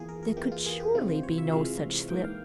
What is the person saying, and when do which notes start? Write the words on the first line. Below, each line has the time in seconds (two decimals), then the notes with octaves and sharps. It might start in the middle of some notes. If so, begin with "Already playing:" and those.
There could surely be no such slip!
Already playing: E2 E3 A#3 F4 G#4
0.09 A#4
0.23 A#4
0.37 E2 E3 A#3 G4
0.52 F4
0.66 G#4
0.80 G4
0.94 C3 E3 G#3 F4
1.09 C5
1.23 C#5
1.38 E5
1.52 C3 E3 G#3 F5
2.10 G#2 E3 A#3 G5
2.24 F5